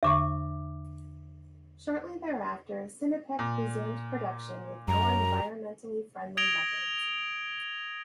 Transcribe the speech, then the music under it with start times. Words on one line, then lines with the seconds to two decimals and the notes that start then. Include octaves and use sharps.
Shortly thereafter, Sinopec resumed production with more environmentally friendly methods.
0.03 E2 D3 E5 C#6 D6
3.39 A#2
4.88 F#2 A#5
6.37 D#6 G#6 A#6 D7 F7 G7